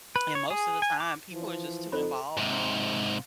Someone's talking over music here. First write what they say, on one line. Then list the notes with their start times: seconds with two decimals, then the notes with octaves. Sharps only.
and most of the time, people are just too involved in
0.16 B4
0.35 C#5
0.50 G#4
0.82 G#5
1.00 D6
1.32 E3 F3
1.92 F2 D#4 A4 C5 B5
2.37 G#2 C3